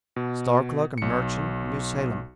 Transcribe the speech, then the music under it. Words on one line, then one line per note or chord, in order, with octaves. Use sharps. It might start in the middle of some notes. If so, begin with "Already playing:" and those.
Store clerk and merchant, New Salem.
B2
B1 C#7